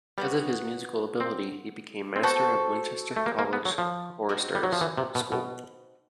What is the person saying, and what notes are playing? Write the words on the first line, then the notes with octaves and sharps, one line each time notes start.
Because of his musical ability, he became master of Winchester College Choristers' School.
G3 B3 D4 F#4
C4
C4
B3 F#4 A4 C5
A3
A#3
A#3
B3
F#3
F3
C4 D#4 F#4
G3
F#3
F3
E3
C3
B2
B2